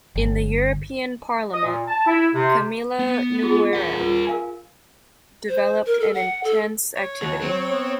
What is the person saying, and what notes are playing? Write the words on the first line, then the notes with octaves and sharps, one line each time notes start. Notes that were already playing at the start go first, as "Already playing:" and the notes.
In the European Parliament, Camilo Nogueira developed an intense activity.
G1
D#5
A#2
A5
E4
C3
B3
F4 G#4
A#4 F#5
F4 B4
A#4 F5 G#5
C5
A#4
A4
F#5
A4
C#5
D#2 F#4
F#3 C4
B3